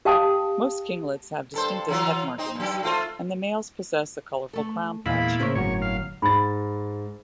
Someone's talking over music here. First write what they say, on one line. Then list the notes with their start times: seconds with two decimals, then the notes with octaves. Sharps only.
Most kinglets have distinctive head markings, and the males possess a colourful crown patch.
0.05 G4 F5 G5 A5 D#6
1.54 G2 A4 C5
1.88 E3 F#3 F4
2.38 C4 D#4
2.55 G2 F#3
2.83 A3 F4 C5
4.53 A3 A4
5.06 E2 A#2 G#3 E4 F5 B5
5.39 A2 C#3 A#3 C#4 C5 C#5
5.55 G1 F#3 F#4 C#5
5.82 F5
6.22 G#2 B5 A6